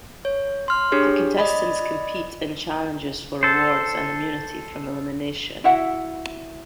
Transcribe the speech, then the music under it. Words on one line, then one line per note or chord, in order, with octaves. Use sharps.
The contestants compete in challenges for rewards and immunity from elimination.
C#5
C6 F6
D4 G4 G#4 C#5
D5 D#5 B5
A4 C5
E4 F#4 E5 F#5